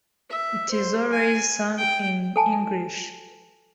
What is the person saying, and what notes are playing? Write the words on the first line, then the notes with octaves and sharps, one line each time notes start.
It is always sung in English.
E5
C5
G#5
G5
A4 G#5 A5